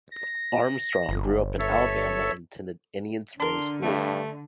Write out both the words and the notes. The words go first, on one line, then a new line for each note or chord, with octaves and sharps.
Armstrong grew up in Alabama and attended Indian Springs School.
A#6
G1
A4 C#5 E5
D3 D4 A#4 C6
G2 A3